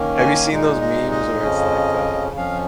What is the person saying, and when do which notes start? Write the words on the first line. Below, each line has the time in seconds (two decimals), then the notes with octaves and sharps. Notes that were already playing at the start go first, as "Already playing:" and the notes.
Have you seen those meme's where it's, like, uh
Already playing: D#3 A#3 C#4
0.18 G#5
0.50 A#2 G#3 D#4
0.81 D#5
1.11 D#5
1.42 F2 C#3 F3 C#4
2.36 F2 F3 C#4 F5